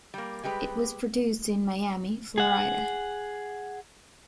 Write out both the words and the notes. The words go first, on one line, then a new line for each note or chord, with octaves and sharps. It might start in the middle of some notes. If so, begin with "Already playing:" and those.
It was produced in Miami, Florida.
G3 A#3
G3 G#3 G4 B4
G#4 F#5